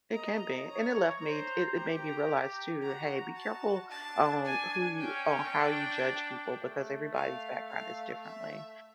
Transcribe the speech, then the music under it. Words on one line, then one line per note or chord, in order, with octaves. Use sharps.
It can be. And it led me t it it made me realize too, "Hey, be careful on who you on how you judge people because everybody's background is differently"
D#5 A#5
C#5 A#5
C5 A#5
G4 A#5
F#4 A#5
A5
D4 A5
G#5
C#4 G5
D4
A3
F5
F5
E5